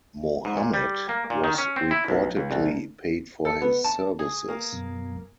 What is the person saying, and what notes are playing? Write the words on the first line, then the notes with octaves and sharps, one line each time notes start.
Mohammed was reportedly paid for his services.
G#2
A#2
G3
A#3
A#2
D#3
C#4
C4
E4
B1
C#2
C2
A4
B3
A5
G#4
A#3
F#2 B2